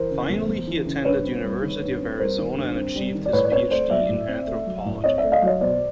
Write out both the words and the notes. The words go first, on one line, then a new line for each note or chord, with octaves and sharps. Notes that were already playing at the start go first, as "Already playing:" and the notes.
Finally he attended University of Arizona and achieved his Ph.D. in Anthropology.
Already playing: E3 A#4 C5
C#3
E2
E2
E3
C#3
G2 B4 C#5
C4
G3
D#3
G2
C4
G3 A#4 C5
D#3
G2
C4
G3
D#3
D5
A2 B4 C#5
D5
C4 B4 C#5
A3 C5 D5
F#3 D5 E5
A2
C4
A3
F#3
A2
C4 C#5 D#5
D5 E5
A3
D#5 F5
F#3 C#5 D#5
B2 C5 D5